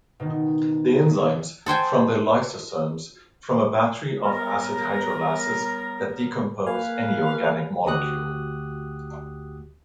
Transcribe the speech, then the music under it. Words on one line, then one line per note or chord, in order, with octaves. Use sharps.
The enzymes from the lysosomes form a battery of acid hydrolases that decompose any organic molecule.
B2 D#3
A4 C5 G5 G#5
C#3 G3 B3 A#4
A#3 B4 F5 G#5
D2 F#4 G4 D#6 F#6